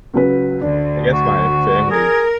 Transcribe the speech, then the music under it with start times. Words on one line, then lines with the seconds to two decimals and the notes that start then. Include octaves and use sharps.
a I guess my family
0.14 C#2 F#3 B4
0.61 D2 D4
1.13 F#4
1.90 G#4 A#4